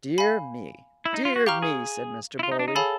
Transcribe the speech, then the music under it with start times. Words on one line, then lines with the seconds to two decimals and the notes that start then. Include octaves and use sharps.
"Dear me, dear me," said Mr. Bowley.
0.18 F5 G#5 B5
1.05 E4
1.14 D#4
1.25 F4
1.36 F#4
1.46 G4 F5 A#5 C#6 F6
1.62 G#4
2.39 E4
2.43 F4
2.52 D#4
2.59 D4
2.68 D#4
2.75 G#4 A4 C#5 F5 G#5 B5